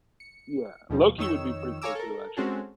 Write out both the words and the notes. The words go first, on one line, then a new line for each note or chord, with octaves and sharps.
Yeah, Loki would be pretty cool too, actually.
C#7
D#2 B2 F3 G3
F2 D#3 D#4 C#5 E6 E7
C#5 F5 G#5 A#5 D6 E6
A4 A#4
G#3 C4 C#4 F#4 G#4 A4